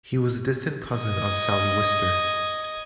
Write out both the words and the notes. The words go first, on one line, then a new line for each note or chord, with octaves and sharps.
He was a distant cousin of Sally Wister.
D#5 G#6